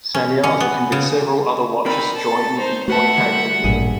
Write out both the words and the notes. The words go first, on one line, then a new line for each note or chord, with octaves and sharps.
Samyaza convinced several other Watchers to join him in fornicating with women.
C#4
C#4
B3
C#3
C4 D#4 A#4 D5 B5
A4 A5
D#4 C5
A3 F#4 B4 E5 F#5 A5
D3 G3
A1 G2 A#2 G#4